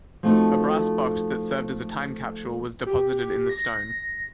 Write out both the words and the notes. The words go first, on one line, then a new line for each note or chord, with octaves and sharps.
A brass box that served as a time capsule was deposited in the stone.
F3 A3 C4 D#4 F#4
G4
A#6